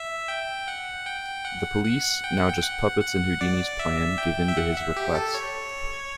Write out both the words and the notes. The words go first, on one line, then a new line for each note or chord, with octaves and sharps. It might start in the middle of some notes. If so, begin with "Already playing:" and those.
The police, now just puppets in Houdini's plan, give into his request.
Already playing: E5
G5
F#5
G5
F#5
F#5
G5
F#5
G5
F#5
F#5
D5
E5
G5
E5
F#5
E5
G4
A4
C#5